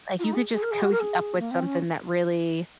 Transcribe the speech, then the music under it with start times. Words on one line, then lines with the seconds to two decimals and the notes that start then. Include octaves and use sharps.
like, you could just cozy up with something that really
0.19 F4
0.23 D#4
0.33 G#4
0.52 G#4
0.62 A#4
0.71 G#4
0.81 F#4
0.91 A#4
1.00 G#4
1.38 A#3
1.51 C4
1.64 C#4